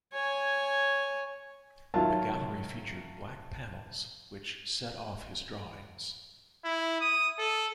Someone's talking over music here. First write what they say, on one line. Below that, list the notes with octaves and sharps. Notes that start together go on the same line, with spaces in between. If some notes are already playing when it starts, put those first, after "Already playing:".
The gallery featured black panels which set off his drawings.
C#5 G#5
D#3 F#3 F4 E5 A5
E4
D#6
A4